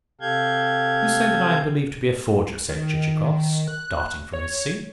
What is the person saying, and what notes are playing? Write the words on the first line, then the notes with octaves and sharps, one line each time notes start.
"You say that I am believed to be a forger?" said Chichikov, starting from his seat.
C3 G4 A4 F5 G6 G#6
D#3
F#6
C#5